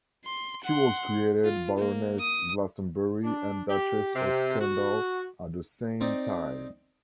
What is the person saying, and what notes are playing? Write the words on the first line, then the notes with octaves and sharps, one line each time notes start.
She was created Baroness Glastonbury and Duchess of Kendal at the same time.
C6
F#5 C6
F4
A#3
D#6
D4
G4
C3
F#4
C4 D#4 D5